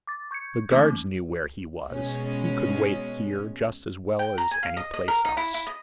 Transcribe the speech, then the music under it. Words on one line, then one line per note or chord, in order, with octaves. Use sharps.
The guards knew where he was--he could wait here just as well as any place else.
D6 A6
C#6 G6 G#6 C#7
E3 A3 A#3 C#4 D#4
B2 G#3 C#4
G5
A#5
G#5
F5
D#5
D#5
A#4
D#4
E4
E4
D#5